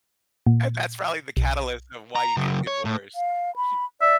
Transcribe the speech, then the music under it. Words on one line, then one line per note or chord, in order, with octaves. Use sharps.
And that's probably the catalyst of why you're getting divorced. She
A#2
B1
A#5
C#3 F#3
C#5
A2
F5
B5
D5 E5